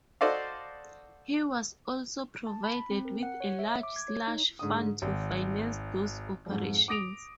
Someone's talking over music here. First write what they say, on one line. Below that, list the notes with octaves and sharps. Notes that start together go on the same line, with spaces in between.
He was also provided with a large slush fund to finance these operations.
F#4 A4 C5 D5 D#5 F5
A5
B5
C4
A#4
F#5
C#5
E5
D6
G#6
C#5
D#4
G#2 D3 D#6
G#1
F2 G#2
D6 D#6 A#6 D7 F7